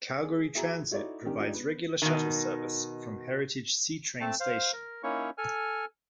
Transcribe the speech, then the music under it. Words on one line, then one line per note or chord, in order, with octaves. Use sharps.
Calgary Transit provides regular shuttle service from Heritage C-Train station.
G#4
E4 F#4 G#4 E5 A#5
D#4 E4 F#4 A4 C#5 D5
D#3 C#4 D4 G4 A#4
G#3 D4 D#4 F4 G4
B3
B2 D#3
A3 C4 A5
C5 F5
A#4
A#3 C#4 D#4 E4 C#5 C#6
A4 G#5 F6